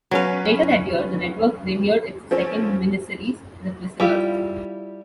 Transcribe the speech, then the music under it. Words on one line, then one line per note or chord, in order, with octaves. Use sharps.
Later that year, the network premiered its second miniseries, "The Prisoner".
F#3 B3 C#4 B4 F5
F3 C4 C#4
G3 E4 F4 G4